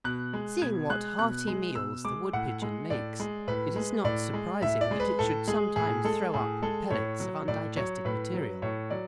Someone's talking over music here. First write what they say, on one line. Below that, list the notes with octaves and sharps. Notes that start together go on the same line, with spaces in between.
Seeing what hearty meals the woodpigeon makes, it is not surprising that it should sometimes throw up pellets of undigested material.
B2 F#6
G#3
B2 G#6
G#3 F#6
B2 F#6
G#3
B2 E6
G#3 D6
A2 F#5
G#3
A2 D5
G#3
A2 B4
G#3
A2 D5
G#3
A2 E5
D5
G#3
B4
A2 A4
G#3 G#4
A2 G#4
G#3 A4
A2 G#4
G#3 A4
A2 C#5
F#3
A2 D5
F#3 C#5
A2 B4
F#3
A2 C#5
F#3 D5